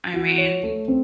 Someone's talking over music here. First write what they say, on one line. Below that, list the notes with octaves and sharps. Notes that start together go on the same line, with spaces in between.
I mean
F#4
C#5
A3
C4